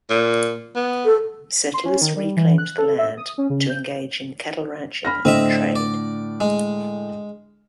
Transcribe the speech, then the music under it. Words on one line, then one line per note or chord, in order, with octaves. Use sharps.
Settlers reclaimed the land to engage in cattle ranching and trade.
A#2
B3
A4
C6
C#4
D#3
G3
E3
F#6
A4
E5
D#6
C#4
C#3
G6
B5 F6 A#6
A2 D3 C4 D4 D#5 E5
D5
G#3